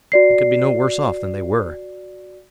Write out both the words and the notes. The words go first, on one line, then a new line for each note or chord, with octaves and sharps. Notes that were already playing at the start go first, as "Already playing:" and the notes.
They could be no worse off than they were.
F#4 D5 C7